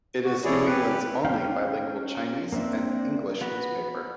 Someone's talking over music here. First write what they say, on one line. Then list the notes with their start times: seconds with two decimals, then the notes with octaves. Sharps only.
It is New England's only bilingual Chinese and English newspaper.
0.23 F#4
0.44 F3 A3 E4 G#4 C#5 D5
0.66 G4 B4
1.25 C#4 F5 G5
2.52 A#3 C4 D4 E5
3.41 B3 F#4 B4